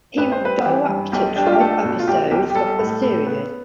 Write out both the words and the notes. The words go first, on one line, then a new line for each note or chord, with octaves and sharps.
He directed twelve episodes of the series.
A1 B4
C5
G3 B4
E3 G4
G2
B1 G4
D4 G4
F4
G4
A3 A4
B2
F4
B1 G4
B1 G4
G4
G3 A4
A2
A2
B3